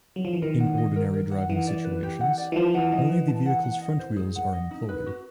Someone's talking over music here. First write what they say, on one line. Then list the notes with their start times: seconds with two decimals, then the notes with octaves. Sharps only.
In ordinary driving situations, only the vehicle's front wheels are employed.
0.16 F#3
0.25 F3
0.33 E3
0.42 D#3 A#4
0.60 F#5
0.78 D#5
0.96 A#4
1.14 A#4
1.31 F#5
1.50 E3 F#5
1.67 D5
1.84 B4
2.03 G4
2.21 F#5
2.38 D5
2.52 E3
2.56 F3 A5
2.74 E3 F#5
2.92 E3 D#5
3.10 B4
3.28 A5
3.46 F#5
3.64 F#5
3.81 D#5
3.99 C5
4.16 G#4
4.35 F#5
4.53 D#5
4.71 D#4
4.89 B4
5.06 F#4